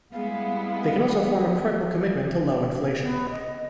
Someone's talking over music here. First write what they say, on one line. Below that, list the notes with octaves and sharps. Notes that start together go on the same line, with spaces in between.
They can also form a credible commitment to low inflation.
G3 G#3 B3 E4 F5
B3
D#5